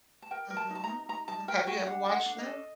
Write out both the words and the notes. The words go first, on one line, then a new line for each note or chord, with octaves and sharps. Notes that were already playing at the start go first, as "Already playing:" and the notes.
Mhm. Mhm have you ever watched them?
A5
A#4 G5
A#4
A5
D#4 A5
A#5
D#4
D#4 A#5
D#4 A5
A#4 G5
F#4 G5
D4 F#5
A4
F#5
D4
D#5
A4